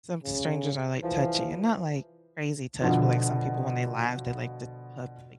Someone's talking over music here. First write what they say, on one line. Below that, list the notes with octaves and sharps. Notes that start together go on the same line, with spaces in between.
some strangers are like touchy and not, like, crazy touch, but like some people when they laugh, they like to h uh, like,
C#3
C2 E3 F3
B2 D3 F3